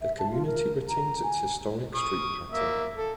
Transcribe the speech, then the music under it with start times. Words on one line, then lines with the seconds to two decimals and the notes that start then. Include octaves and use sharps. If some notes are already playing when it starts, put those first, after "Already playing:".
The community retains its historic street pattern.
0.01 E5
0.19 A5
0.31 F4
0.46 A#4
0.89 A#5
1.23 G#5
1.94 C#6 D#6
2.51 A#3 E5
2.97 A4